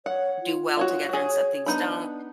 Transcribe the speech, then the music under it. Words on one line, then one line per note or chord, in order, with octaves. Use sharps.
do well together and some things don't.
C#5 F#5
F4
F#4 C#5 F5
F#4 G#4 C#5
B3 D4 D#4 B5